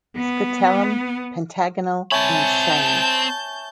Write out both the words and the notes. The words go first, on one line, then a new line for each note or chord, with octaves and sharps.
Scutellum pentagonal and shiny.
B3
C4 C#5 E5 G#5 A5 B5 G6